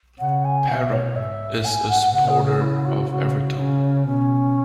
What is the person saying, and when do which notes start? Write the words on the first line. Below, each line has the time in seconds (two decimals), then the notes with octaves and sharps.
Parrott is a supporter of Everton.
0.19 C#3 F#5
0.44 G#5
0.68 B2 E5 F#5
0.91 C#5
1.15 G#2 E5
1.64 G#5
1.88 F#5
2.13 C#3 F#5
2.28 G#4
2.44 G#4
2.60 E4
2.85 F#4
3.09 C#3 F#4
3.57 C#3 C#4
4.05 B2 C#4